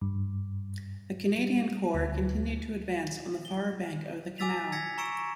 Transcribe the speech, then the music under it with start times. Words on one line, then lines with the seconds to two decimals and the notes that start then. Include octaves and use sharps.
The Canadian Corps continued to advance on the far bank of the canal.
0.01 G2
1.39 G3
1.94 D2
3.45 G7
4.38 G#5 D6 E6 A6 B6 F7
4.72 E6 G#6 A#6 B6 C#7
4.98 A#5 C#6 E6 C#7 D7 E7